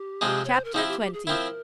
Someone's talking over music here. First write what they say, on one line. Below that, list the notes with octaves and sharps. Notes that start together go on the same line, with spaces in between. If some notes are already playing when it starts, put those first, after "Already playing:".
Chapter XX.
Already playing: G4
C3 F3 G#3 C4
C#5
C5
A#4
F3 C4 E4 G#4
G4
G4
G#4
F3 C4 E4 A#4